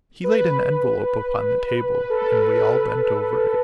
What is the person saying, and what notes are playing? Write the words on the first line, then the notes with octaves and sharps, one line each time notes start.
He laid an envelope upon the table, and we all bent over it.
B4
B4
A4
B4
B4